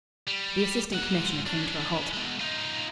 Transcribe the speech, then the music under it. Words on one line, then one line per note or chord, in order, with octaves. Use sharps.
The Assistant Commissioner came to a halt.
G3
G#3 F#5
C#4 D4
B2 G#3
D#4 F4